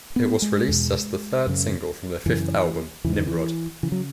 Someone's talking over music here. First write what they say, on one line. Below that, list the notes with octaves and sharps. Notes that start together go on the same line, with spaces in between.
It was released as the third single from their fifth album, "Nimrod".
B3
G#3
E2 B2
F#2 C#3
F#2 C#3 E3
E2 C#3 E3
D#3
E3
C#3 E3
F#3